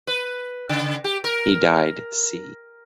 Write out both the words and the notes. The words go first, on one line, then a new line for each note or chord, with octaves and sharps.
He died "c".
B4
C#3
G4
A#4